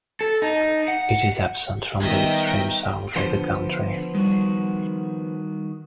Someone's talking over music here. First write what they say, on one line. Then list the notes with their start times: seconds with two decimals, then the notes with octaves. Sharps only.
It is absent from the extreme south of the country.
0.21 A4
0.42 D#4
0.88 F#5
2.00 D#3 G3 B3 A#4 D#5 E5 G5
3.16 D3 F3 B3 C5
4.15 D#3 G3 F#4